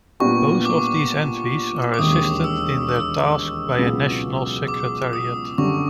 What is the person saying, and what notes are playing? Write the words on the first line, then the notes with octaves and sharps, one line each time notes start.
Both of these entities are assisted in their tasks by a national secretariat.
A#2 G3 B3 D4 G4 C#6
D6
D6
E1 D#2 D#3 D#6
E6
E6
C#2 B2 F#3 B3
D6
D#6
F#2 D3 G3 C#6